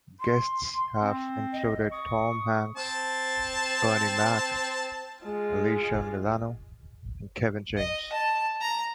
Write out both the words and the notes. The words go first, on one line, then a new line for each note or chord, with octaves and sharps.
Guests have included Tom Hanks, Bernie Mac, Alyssa Milano and Kevin James.
C6
C4
D#5
C#6 D#6
C4 A5
G#3 F4
D#5
A5
A#5